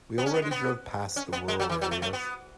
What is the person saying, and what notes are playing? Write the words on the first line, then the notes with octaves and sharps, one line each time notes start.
We already drove past the rural areas.
B3
C#4
B3
G#3
B3
C#4
B3
G#3
F#3
E3
F#3
A3
A3
B3